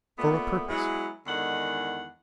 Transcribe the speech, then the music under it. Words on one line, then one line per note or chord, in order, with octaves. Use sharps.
For a purpose.
A#2 A3 B3
F#3 G#3 B3 E4
E2 D3 D#3 G#3 F#5